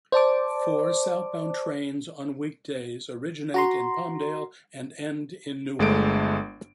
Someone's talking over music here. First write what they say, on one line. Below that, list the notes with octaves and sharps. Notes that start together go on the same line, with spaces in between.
Four southbound trains on weekdays originate in Palmdale and end in Newhall.
C5 D5 A5 D6
F#4 A#5 C6
G1 G#3 A3 D7